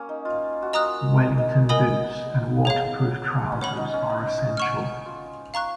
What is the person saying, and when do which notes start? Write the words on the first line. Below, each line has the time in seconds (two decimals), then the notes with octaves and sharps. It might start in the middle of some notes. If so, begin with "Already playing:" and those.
Wellington boots and waterproof trousers are essential.
Already playing: A#3 C#4
0.09 D#4
0.25 F4
0.62 F#4
0.73 F4 D#5 A#5 D#6 F#6
1.21 D#4
1.38 D#4
1.53 D#4
1.69 B3 A#4 D#5 G#5 B5 D#6
2.65 G#4 C#5 F5
3.52 C#4
3.61 B3 C#5 F#5 B5
3.77 D#4
3.94 C#4
4.10 D#4
4.57 F#5 C#6 F6
5.05 F4
5.54 F5 A#5 C#6 F#6